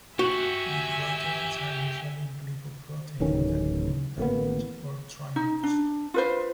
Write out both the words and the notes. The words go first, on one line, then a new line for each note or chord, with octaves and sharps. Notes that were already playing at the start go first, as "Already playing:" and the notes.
The proteins are usually glycoproteins that form dimers or trimers.
F#4 G4 E5 F#5 G#5
D1 A1 D#3 C#4
A1 A#3 B3
D#4
D4
F4 B4 C5